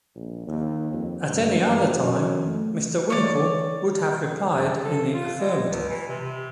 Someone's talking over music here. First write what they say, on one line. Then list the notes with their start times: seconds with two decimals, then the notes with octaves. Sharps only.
At any other time, Mr. Winkle would have replied in the affirmative.
0.15 A#1
0.47 D#2
0.93 F2
1.29 G2
1.60 G2
1.95 F#2
2.47 A3
3.10 C#5 D5
4.55 G2
4.68 C#3
4.85 A4
5.14 F4
5.39 G#3
5.69 C#2
5.89 E3
6.08 C3
6.21 C3